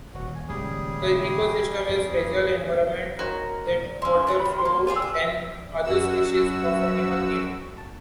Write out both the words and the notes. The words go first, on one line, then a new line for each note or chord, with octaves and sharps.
The ecosystem is a fragile environment that waterfowl and other species of animals need.
D#1 F#4
G#5
D#1 C#2 F3 G3 G#4
F2 G#2
C4 D#4 F#4 A#4 C#5
C#4 E4
D4 E5 G#5 A#5
D#3
A#3
F4 G4 G#4 D5
D4
F#2 F#4 E6